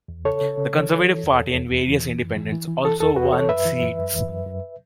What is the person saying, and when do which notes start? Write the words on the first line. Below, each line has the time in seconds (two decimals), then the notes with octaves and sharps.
The Conservative Party and various independents also won seats.
0.08 E2
0.25 C#3 A4 C#5
0.41 C#3
0.58 C#3
0.74 E3
0.90 E3
1.06 E3
1.23 E2
1.39 E2
1.54 E2
1.71 E2
1.87 E3
2.03 E3
2.20 F#2
2.36 E3
2.53 E3
2.68 E3
2.84 E3 A4
3.00 E2 A4
3.16 E2 F#4 B4
3.32 E3 A4 C#5
3.49 F#2 B4 E5
3.65 E3
3.82 F#2
3.98 F#2
4.13 E3
4.30 F#2
4.46 F#2